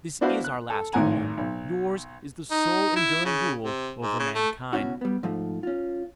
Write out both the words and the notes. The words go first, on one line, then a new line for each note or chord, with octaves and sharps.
This is our last home, yours is the sole enduring rule over mankind.
B3 D4 E4 F#4 C5 F5
F#6
A4
G#1 A2 D#3 F#5 G#5 A#5
B1
D#4
E4
C#3
C3
G#2
C#3
A3
C#2 B2 C#4 E4 F#4
G3 B3
G#2 F3 A3
C#4 F4